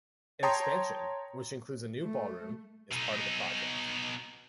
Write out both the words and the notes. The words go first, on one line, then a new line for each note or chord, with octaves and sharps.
An expansion, which includes a new ballroom, is part of the project.
C#5 G5 A5 A#5 C6 D#6
A3
B2 D#4